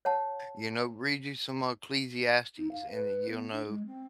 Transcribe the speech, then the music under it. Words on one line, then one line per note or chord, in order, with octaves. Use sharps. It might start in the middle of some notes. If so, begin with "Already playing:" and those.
you know, read you some Ecclesiastes and you'll know
C#5 F#5 A5
D#4
F5
B4
B3
D4
G#3
C4